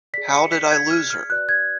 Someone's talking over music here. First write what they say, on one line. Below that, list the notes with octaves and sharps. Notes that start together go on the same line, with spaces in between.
How did I lose her?
G#4 D5 B6
C#7
B6
G#6
F6
F6
F#4 B4 D5 F#6
G#6